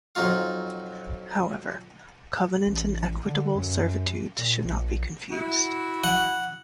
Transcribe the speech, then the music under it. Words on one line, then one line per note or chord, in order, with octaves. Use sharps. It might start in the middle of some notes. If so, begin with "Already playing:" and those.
However, covenants and equitable servitudes should not be confused.
F2 F#3 D#4 F4 F5
A1
D3
F#2
A#2
A#1
E4 F#4
F#5